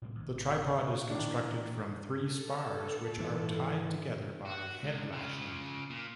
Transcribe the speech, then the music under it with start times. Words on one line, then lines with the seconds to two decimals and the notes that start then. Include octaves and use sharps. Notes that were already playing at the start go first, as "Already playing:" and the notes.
The tripod is constructed from three spars, which are tied together by head-lashing.
0.02 A2 C3 G3 A#3
0.15 G#1 D#2
1.10 D#3 E3 D4
2.22 A4
3.18 G#2 E3
4.45 F#4
4.83 C#2
5.12 C#3 F4
5.90 A#2